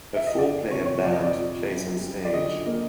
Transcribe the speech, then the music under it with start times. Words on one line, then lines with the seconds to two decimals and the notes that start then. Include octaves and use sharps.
A four player band plays on stage.
0.15 E5
0.27 D#5
0.38 G1 D5
0.71 C3 C#5
0.85 C#5
1.04 F2 D5
1.13 D#5
1.23 D5
1.36 F3
1.69 F#2
2.01 G3
2.25 D5
2.34 D3 D#5
2.66 A#3 D#5